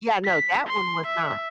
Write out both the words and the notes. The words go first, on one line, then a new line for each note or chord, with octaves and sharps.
Yeah, no, that one was not,
B6
C6
E5